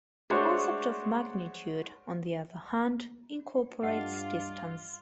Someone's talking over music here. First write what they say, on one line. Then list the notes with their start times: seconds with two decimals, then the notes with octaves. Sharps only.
The concept of magnitude, on the other hand, incorporates distance.
0.30 G#3 A3 D4 F#4 C5 C#5
3.82 G2 F4 D5 D#5 F5 F#5 A5